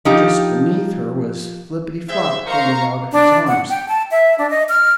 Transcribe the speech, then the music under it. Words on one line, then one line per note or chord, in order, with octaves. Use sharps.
Just beneath her was Flippityflop, holding out his arms.
F3 D#4 G4
G#3 C5 E5
D#4 A#4 C5 F5 A#5 C#6
D4
F#5
G5
A5
E5
D4
D#5
F6